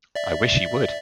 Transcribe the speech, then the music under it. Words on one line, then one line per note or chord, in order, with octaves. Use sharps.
I wish he would!
D5 E5